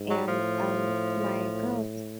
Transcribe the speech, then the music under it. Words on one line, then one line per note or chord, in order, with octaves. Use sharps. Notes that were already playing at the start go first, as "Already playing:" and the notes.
and, um, my girl
Already playing: G#2
F#3
A2 F3